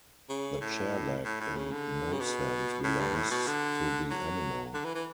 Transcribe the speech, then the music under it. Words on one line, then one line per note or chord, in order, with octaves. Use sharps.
The chair-leg in no sense belongs to the animal.
C#3
A2
A2
A2
C#3
D3
C#3
B2
A2
G2
A2
B2
D3
F#3
D3
E3
E3